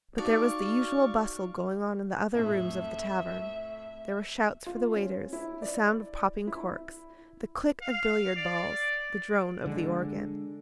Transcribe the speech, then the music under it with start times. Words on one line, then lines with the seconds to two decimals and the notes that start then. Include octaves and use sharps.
But there was the usual bustle going on in the other rooms of the tavern; there were shouts for the waiters, the sound of popping corks, the click of billiard balls, the drone of the organ.
0.18 D#4 F#4 D5 F5 A5 C#6
2.34 F2 A2 E5
4.66 F4
4.95 C#4
5.33 E4
5.62 D5
6.47 E4
7.81 F5
8.36 D5
9.66 D3 G#3